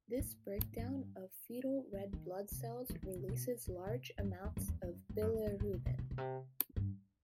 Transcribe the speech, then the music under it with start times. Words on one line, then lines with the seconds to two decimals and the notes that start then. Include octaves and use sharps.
This breakdown of fetal red blood cells releases large amounts of bilirubin.
0.20 A2
0.59 A2
0.78 G2
1.93 A2
2.13 D#3
2.52 C3
2.90 E3
3.03 D#3
3.16 C3
3.29 B2
3.67 A2
3.87 B2
4.19 G2
4.25 F#2
4.45 E2
4.57 F#2
4.68 E2
4.83 F#2
5.09 G2
5.21 F#2
5.34 G2
5.47 A2
5.60 A2
5.73 B2
5.86 B2
5.99 B2
6.11 B2
6.18 C3
6.76 G2